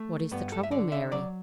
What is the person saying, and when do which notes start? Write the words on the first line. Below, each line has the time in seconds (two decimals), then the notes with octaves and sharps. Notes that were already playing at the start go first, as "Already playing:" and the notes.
"What is the trouble, Mary?"
Already playing: A3
0.31 G2 B3
0.52 A4
0.63 E5
0.71 D3 D5
0.92 E5
1.12 F#3 D5